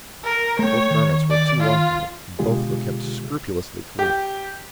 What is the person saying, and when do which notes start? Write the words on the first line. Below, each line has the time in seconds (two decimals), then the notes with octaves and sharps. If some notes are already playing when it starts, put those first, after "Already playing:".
Both garments were too long for him, and both were kept scrupulously clean.
0.24 A#4
0.59 A3 C#5 G5
0.91 D#3
1.30 D5
1.60 F4
2.39 B2 D3 G#3 F4 G4 G#4
3.99 G4